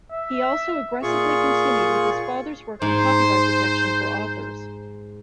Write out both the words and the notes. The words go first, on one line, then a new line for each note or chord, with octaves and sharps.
He also aggressively continued with his father's work on copyright protection for authors.
E5
A#2 F4 G#4 C#6
G#2 C5